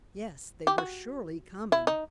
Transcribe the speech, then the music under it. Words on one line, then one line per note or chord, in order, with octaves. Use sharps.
Yes, they were surely coming!
G4
F#4
E4
D#4